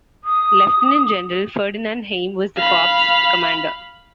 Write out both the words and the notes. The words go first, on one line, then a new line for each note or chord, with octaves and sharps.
Lieutenant General Ferdinand Heim was the corps commander.
D#6
F5 B5